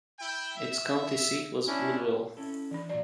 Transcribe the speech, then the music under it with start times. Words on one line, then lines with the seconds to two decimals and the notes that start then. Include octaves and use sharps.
Its county seat was Woodville.
0.19 E4 G5
0.56 E5
1.67 C#4 D4 E4
2.37 C#4 E4 A4
2.71 E3 D4
2.89 A#2 F#3 D5